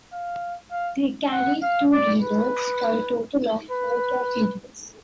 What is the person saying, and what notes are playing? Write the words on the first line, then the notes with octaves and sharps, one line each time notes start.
They carried two reloads, for a total of four torpedoes.
F5
F5
F#5
F5
D5
B4
B4